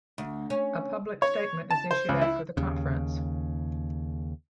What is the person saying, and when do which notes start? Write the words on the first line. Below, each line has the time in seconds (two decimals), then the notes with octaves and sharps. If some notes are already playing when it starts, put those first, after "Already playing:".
A public statement is issued after the conference.
0.18 D2
0.50 C#4
1.22 C#5
1.71 A5
1.91 C5
2.09 C#2
2.21 E4
2.57 D#2 C#3